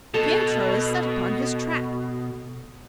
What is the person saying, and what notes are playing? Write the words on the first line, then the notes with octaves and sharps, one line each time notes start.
Pietro is set upon his track.
B2 A4